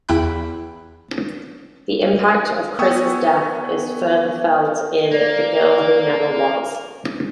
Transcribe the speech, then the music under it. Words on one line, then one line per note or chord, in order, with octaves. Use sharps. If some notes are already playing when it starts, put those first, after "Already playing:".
The impact of C'rizz's death is further felt in "The Girl Who Never Was".
E2 E4 G5 B5 F#6
B3 G5 G#5 C#6 D#6 E6
A#3 D5